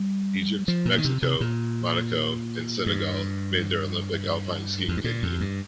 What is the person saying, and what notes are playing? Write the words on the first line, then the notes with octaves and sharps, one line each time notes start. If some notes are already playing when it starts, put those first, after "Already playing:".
Egypt, Mexico, Monaco and Senegal made their Olympic alpine skiing debuts.
Already playing: G3
F3
A#2
D#3
C3
C3
A#2
G2
F2
G2
A#2
F2
G2